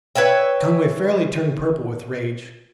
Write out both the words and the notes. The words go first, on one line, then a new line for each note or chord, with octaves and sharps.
Conway fairly turned purple with rage.
B4 C#5 E5 G5